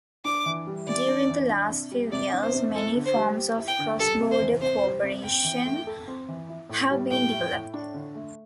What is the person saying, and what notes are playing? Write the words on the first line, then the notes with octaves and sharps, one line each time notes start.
During the last few years, many forms of cross-border co-operation have been developed.
D4 D6
E3
G3
E3 D5
D4
E3
D4
C3
G3
C3 D5
D4
C5
C3
E4 A4
D3
C5
G3
G4
E4
G5
D3
G3 A4
C3
C5
E3
C3 C5
G3
C3
C4 G5
E3
A3
A4
C4
E3
E4
A2
G3
A2 G5
E4
A2
D4
D3
A3